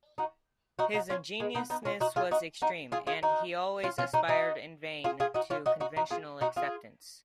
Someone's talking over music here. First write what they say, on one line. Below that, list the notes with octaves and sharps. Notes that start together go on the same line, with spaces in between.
His ingenuousness was extreme, and he always aspired, in vain, to conventional acceptance.
D#4 F#4
D#4 F#4
D#4 F#4
C#4 F4
G#3
B3 D#4
B3 D#4
C#4 F4
D#4 F#4
F4 G#4
D#4 F#4
D#4 F#4
F4 G#4
F4 G#4
D#4 F#4
C#4 F4
C#4 F4
D#4 F#4
D#4 F#4
F4 G#4
F4 G#4
D#4 F#4
C#4 F4
D#4 F#4
D#4 F#4
D#4 F#4
F4 G#4
D#4 F#4
F4 G#4